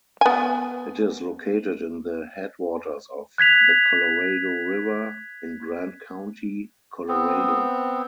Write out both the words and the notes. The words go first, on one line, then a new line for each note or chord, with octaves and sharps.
It is located in the headwaters of the Colorado River in Grand County, Colorado.
B3 G#5
F#6 G#6 B6 F7
B3 C4